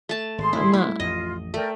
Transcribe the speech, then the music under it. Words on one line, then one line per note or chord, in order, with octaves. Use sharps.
I'm not
A3 A5
G#1 G#4 C6
E4
G3 A3 E4
A1 F2 F4 D#5
A3 A#4 D5 G5